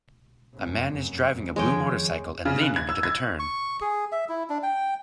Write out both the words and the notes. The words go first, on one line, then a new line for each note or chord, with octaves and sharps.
A man is driving a blue motorcycle and leaning into the turn.
F1 F#2
D#3 F3 G#3 C#5 G5
C#3
F#6
G#6
E6
G#6
C#6
G#4
E5
E4
D4
G5